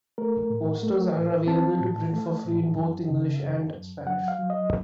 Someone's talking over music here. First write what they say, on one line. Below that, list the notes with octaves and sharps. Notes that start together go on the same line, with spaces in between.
Posters are available to print for free in both English and Spanish.
A3 A#4
A2
A3
A2
C4 A5
A2
A3
A2
F#2
C#3
F#2
F#2
F#3 F#5
F5
F#3
D#5